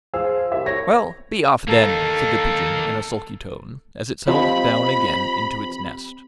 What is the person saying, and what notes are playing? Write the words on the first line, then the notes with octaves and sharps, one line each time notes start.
'Well, be off, then!' said the Pigeon in a sulky tone, as it settled down again into its nest.
F3 G#4 F5 E6
C2 E5
C#5 A#6
A#3 D#4 A4
F3 C4 F4 G4 D#5 B5